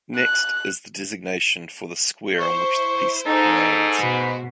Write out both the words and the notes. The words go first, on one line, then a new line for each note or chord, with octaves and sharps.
Next is the designation for the square on which the piece lands.
F#6
E4 C5 C#6
G#2 D#4 A4
B2 F#4 B4